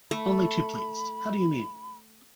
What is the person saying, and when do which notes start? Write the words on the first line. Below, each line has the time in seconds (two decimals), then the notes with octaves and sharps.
Only too pleased. How do you mean?
0.11 A3 B5